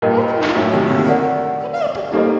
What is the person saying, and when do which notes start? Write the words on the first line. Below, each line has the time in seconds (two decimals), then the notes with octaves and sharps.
Representatives from Connecticut.
0.02 G2 A#2 A#4 D#5 G5
0.55 F#2 A2
0.73 C3 D#3
0.90 A#2 D3
1.08 A#4 D5 F#5
2.13 G3 A#3 D#4 A4 C5 D#5